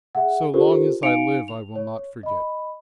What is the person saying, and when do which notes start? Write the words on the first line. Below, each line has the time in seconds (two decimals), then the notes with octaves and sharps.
So long as I live I will not forget.
0.15 G#4 E5 F#5
0.54 D4 F4 G4 A4 A#4 C5
1.03 D#4 F5 G#5 C#7 D7 F7
1.48 F7
1.76 C#5
2.23 D#5 B5